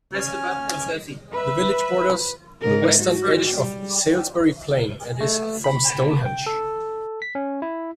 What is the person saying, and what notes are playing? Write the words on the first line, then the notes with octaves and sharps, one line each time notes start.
The village borders the western edge of Salisbury Plain, and is from Stonehenge.
C#4 G#5 F6
B4 E5 E6
G#2 A#4
F#4
G3
A3
B5
G5
A4
B6
C#4
E4